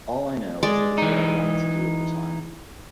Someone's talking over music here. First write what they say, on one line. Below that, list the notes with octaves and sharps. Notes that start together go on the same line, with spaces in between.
All I know is that it's what I wanted to do at the time.
G#3 D5
E3 D#4